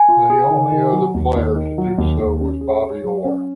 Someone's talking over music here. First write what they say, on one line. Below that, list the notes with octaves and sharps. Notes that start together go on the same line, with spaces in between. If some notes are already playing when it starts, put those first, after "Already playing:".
The only other player to do so was Bobby Orr.
Already playing: G#5
F4
G#4
D#3
D#3
F#3
D#2
D#2
D#3
F#3
D#2
D#2
C#4
G#4
C#5
F#3
C#4